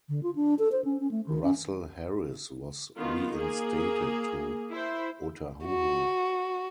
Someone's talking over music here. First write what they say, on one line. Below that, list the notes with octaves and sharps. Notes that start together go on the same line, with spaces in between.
Russell Harris was reinstated to Otahuhu.
D3
F4
D4
A4
C5
C#4
C#4
A3
D#3
C#4
D#3 B3 F4
A#3 G#4
E4 C5
F#4